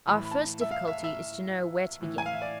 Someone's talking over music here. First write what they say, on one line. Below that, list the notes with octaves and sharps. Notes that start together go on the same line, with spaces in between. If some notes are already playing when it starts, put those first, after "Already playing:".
Our first difficulty is to know where to begin.
A2 E3 B5
B5
A5
E5
F5
E5
E5
A2 E3
G#5
F5
E5
D5